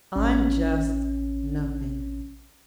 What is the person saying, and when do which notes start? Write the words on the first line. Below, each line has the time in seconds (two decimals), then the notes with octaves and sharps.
"I'm just nothing."
0.16 A1 C#4